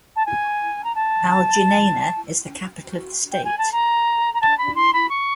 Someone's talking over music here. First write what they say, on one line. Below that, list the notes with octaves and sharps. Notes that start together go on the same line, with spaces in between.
Al-Junaynah is the capital of the state.
A5
G#5
A#5
A5
G5
G#5
A5
A#5
A#5
A5
B5
C6
B5
C#6